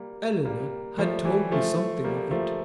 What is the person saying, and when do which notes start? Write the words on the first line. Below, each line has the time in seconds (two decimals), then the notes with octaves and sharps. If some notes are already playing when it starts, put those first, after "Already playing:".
"Eleanor had told me something of it."
Already playing: G3 A#3
0.45 G3 A#3
0.98 F3 A3
1.25 E3 G3
1.51 F3 A3
2.04 G3 A#3
2.31 F3 A3